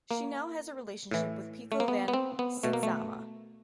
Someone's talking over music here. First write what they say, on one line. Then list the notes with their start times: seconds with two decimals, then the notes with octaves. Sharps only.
She now has a relationship with Pico van Sytzama.
0.11 A#3
1.11 A2 E3
1.72 A3
1.80 A#3
1.88 B3
2.08 B3
2.14 C4
2.39 B3
2.63 B2 A3
2.73 A#3
2.83 A3